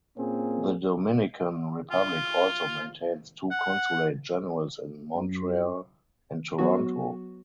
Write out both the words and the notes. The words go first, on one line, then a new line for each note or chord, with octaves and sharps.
The Dominican Republic also maintains two consulate generals in Montreal and Toronto.
A#2 A#3 C4 C#4 G#4
F4
F#5
F#2
F#3 B3 F#4